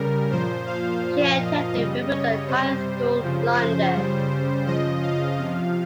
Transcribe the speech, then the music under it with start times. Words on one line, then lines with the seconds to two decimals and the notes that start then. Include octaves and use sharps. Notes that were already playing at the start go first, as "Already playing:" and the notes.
She attended Wimbledon High School, London.
Already playing: C#3 G3 A#4
0.30 A#2 F3 C5
0.66 F5
1.04 A#2 F3
1.40 D#5
1.76 C#3 G3
2.12 C#5
2.48 C3 G3 C5
3.21 C#3 F3
3.57 C5
3.94 C#3 G3
4.66 C#3 F3 D#5
5.02 F5
5.39 C3 F3